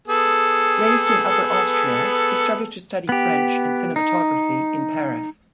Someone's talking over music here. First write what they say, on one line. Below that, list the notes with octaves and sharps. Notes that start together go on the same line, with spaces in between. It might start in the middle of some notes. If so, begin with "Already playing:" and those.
Raised in Upper Austria he started to study French and cinematography in Paris.
B3 G#4 A4
B3 G4
D#4